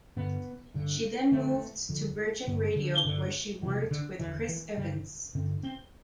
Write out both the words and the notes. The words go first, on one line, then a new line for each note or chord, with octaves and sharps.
She then moved to Virgin Radio where she worked with Chris Evans.
G2 D3 B3
G2 D3
F2 D3 A3
F2 D3
G2 D3
D3
G2 D3
F2 C3 E3
D3
E2 D3 E3
E3
G2 D3 G3
G2 D3 C4
C4